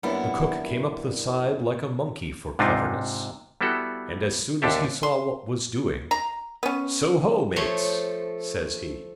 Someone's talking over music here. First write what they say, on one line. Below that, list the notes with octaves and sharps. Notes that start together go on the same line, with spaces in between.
The cook came up the side like a monkey for cleverness, and as soon as he saw what was doing, "So ho, mates!" says he.
F#2 G3 A#3 B3 D4 E4
G#2 C3 D4 D#4 F4
G3 B3 E4 F#4 A4
D#2 D3 D4 G4 A4 E5
C6
A#5
B3 C#4
F3 A3 C5 C#5